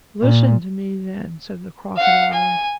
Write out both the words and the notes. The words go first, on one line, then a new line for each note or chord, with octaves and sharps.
"Listen to me, then," said the Crocodile.
A#2
F5 F#5
G#5